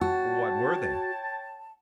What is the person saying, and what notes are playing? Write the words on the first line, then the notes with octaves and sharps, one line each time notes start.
"What were they?"
F#4 C#5 G5 A5